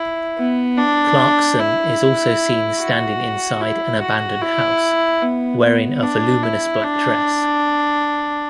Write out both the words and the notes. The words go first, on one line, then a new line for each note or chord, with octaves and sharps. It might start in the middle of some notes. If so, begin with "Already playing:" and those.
Clarkson is also seen standing inside an abandoned house, wearing a voluminous black dress.
Already playing: E4
B3
D4
E4
F#4
E4
F#4
E4
B3
B3
D4
E4
D4